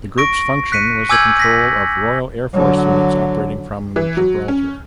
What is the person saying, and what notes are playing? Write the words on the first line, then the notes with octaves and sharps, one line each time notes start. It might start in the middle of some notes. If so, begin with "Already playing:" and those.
The Group's function was the control of Royal Air Force units operating from Gibraltar.
C#6 A#6 D7
F#6 B6 C#7 D#7
G#5 D6 E6 G6 G#6 F#7
A#6 B6
D3 F#3
E3
F#3
C#4